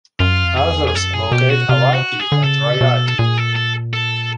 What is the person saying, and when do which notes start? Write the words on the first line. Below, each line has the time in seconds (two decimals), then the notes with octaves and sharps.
Others locate Avaiki at Raiatea...
0.20 F#2 F4
0.45 F2
0.57 G#4
0.69 E2
0.87 G#4
0.94 F#2 A4
1.14 G#4
1.32 B2 G4
1.50 F#4
1.69 C3 F4
1.94 F#4
2.19 G#4
2.32 D3
2.44 C#3 A4
2.81 B2
3.08 A4
3.18 A#2 G#4
3.38 A4
3.56 A4
3.93 A4